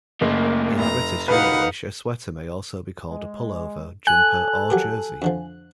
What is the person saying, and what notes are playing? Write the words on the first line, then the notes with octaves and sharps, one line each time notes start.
In British English, a sweater may also be called a pullover, jumper or jersey.
F#1 A2 A#3
F1 A#5
C2 F2 D#4 B4 F5 F#5
G#3
A4 G#5 F#6
F#3 G4 A#4
F2 D3 F3